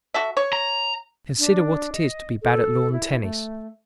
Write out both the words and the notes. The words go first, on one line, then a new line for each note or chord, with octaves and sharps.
Consider what it is to be bad at lawn tennis.
F#4 A4 E5
C#5
A#5
D4
D#5
A4
E4
A3